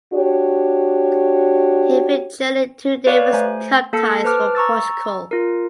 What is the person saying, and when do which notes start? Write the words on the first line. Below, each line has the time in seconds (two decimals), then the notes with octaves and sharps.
He featured in two Davis Cup ties for Portugal.
0.13 D4 F#4 G4 C#5
3.06 G4 B4 C#5 D5 F5
3.33 A3 C5 G#5
3.93 A#3 A4 A5 C#7
4.24 B4 C5 A5 D6 F6
4.55 A#5 C#6 E6 A6
5.31 F4 A#4